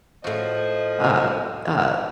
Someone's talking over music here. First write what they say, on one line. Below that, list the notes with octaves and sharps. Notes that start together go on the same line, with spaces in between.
uh uh
A2 F3 F#4 D#5